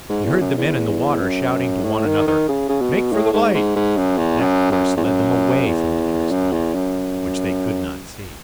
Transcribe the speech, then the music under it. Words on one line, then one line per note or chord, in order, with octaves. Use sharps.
He heard the men in the water shouting to one another, "Make for the light." That course led them away from the nearest land, which they could not see.
G#2
E2
F#2
E2
F#2
A2
D#3
D#3
C#3
C#3
B2
A2
G#2
G#2
G#2
F#2
E2
F#2
F#2
E2
F#2
E2
F#2
E2
F#2